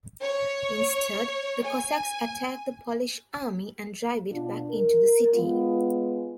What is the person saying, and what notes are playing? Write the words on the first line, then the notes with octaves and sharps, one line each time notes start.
Instead, the Cossacks attack the Polish army and drive it back into the city.
C#5
G#5
B2 D4 F4
A#4
G#3 B3 F4